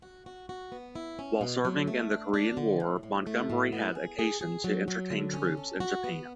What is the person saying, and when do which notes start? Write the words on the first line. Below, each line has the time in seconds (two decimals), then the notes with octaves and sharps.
While serving in the Korean War, Montgomery had occasion to entertain troops in Japan.
0.02 F#4
0.26 F#4
0.49 F#4
0.72 B3
0.95 E4
1.19 C#4
1.41 B2
1.65 F#3
1.87 A3
2.11 D4
2.34 D4
2.57 D3
2.80 A2
3.03 A2
3.27 A3
3.50 A2
3.72 B3
3.95 G#4
4.19 G#4
4.41 G#4
4.64 F#3
4.88 F#3
5.10 D3
5.34 C#4
5.57 A4
5.80 F#4
6.04 B3